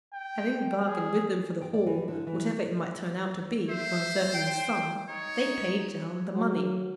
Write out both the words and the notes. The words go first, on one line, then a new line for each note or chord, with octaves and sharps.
Having bargained with them for the haul, whatever it might turn out to be, for a certain sum, they paid down the money.
G5
G#4
G5
D5
E3
D3
E3
C5 E5
G5
D#4 C#5
F#3